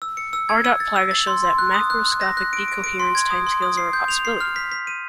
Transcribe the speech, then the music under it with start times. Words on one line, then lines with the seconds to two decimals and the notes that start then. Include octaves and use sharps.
R. Plaga shows that macroscopic decoherence timescales are a possibility.
0.02 E6
0.17 C#7
0.33 E6
0.49 G#6
0.65 E6
0.80 A6
0.96 E6
1.11 A6
1.27 C6
1.43 C6
1.58 F#6
1.74 D#6
1.90 F#6
2.05 F#6
2.21 A#6
2.37 F#6
2.53 D7
2.68 D7
2.84 D7
2.99 C6
3.15 G#6
3.31 D#6
3.47 C6
3.62 D#6
3.77 C7
3.93 G6
4.08 F7
4.25 C7
4.41 F6
4.56 B6
4.72 B6
4.87 D#7